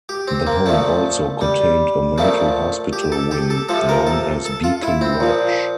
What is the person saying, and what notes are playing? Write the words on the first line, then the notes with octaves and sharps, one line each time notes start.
The home also contained a mental hospital wing known as Beacon Lodge.
G4
C4
A#3
A#2 F3 A3
G3
A#2 F3 A3
G4
A4
G4
A4
C3 F3 A4
A#4
A4
A4
F4
E4
C4
A#2 F3